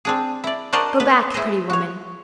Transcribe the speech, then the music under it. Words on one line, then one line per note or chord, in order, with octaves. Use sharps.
'Go back, pretty woman!
C4 D4 G#4
E4 D5
D4 F#4 A#4 C5 D5 D#5
B3 B4
E4 G#4 C5 D#5
F#4 C#5